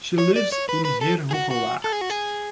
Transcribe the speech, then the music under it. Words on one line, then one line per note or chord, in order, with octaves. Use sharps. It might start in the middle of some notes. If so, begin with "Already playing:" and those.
She lives in Heerhugowaard.
C#5
D5
C#5
B4
B4
A4
G#4
F#4
F#4
A4
G#4
F#4
G#4